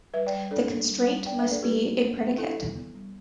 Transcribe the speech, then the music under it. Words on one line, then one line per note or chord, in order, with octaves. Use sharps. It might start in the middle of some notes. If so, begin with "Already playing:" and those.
The constraint must be a predicate.
G3 B4 E5
D5 G5
G3
D4 A4 D5
D4
G3
G3
D4 D5 G5
B4 E5
D4
A4 D5
G3 G4 B4
G3
D4
D4
D4 E4 A4
G3
B3
G3